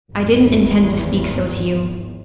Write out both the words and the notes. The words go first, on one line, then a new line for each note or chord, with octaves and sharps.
'I didn't intend to speak so to you.
G#1 E2